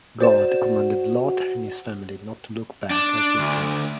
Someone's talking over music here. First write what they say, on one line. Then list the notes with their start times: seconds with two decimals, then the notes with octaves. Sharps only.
God commanded Lot and his family not to look back as they fled.
0.20 F#4 C5 D5 E7
2.90 D4
3.39 D2